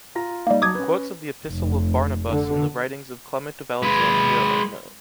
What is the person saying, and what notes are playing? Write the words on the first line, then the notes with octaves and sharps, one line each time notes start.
The quotes of the Epistle of Barnabas in the writings of Clement of Alexandria are known.
F4 A#5 A#6
G3 A#3 D#4 D#5
F#3 A5 D6 D#6 G#6
C#4 B4
F1
D3
G#3 B4